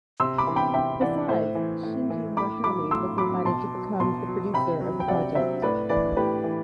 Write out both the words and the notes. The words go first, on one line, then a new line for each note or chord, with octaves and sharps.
Besides, Shinji Mikami was invited to become the producer of the project.
C3 C6 E6
B5 D6
E3
G5 B5
C3 E5 G5
E3 D5 F#5
A2 C5 E5
E3
A2
E3
A2 B5 D6
F#3 B5 D6
A2 C6 E6
F#3 B5 D6
B2 A5 C6
F#3
B2 A5 C6
F#3
C3 G5 B5
F#3
G5
C3 D5 F#5
F#3 C5 E5
A2 B4 D5
E3 B4 D5
A2 G4 B4
E3